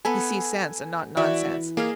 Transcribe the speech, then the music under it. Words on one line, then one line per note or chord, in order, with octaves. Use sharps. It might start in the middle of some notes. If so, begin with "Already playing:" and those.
He sees sense, and not nonsense.
B3 A4 B4 G#5
E3 F#4 D5 E5
A#3 G#4 D#5 F5